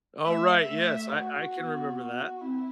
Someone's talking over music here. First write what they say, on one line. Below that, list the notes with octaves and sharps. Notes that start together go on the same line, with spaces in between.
Oh, right, yes, I I can remember that.
A3 E5
A3
F#4
B3
F#4
C4 E4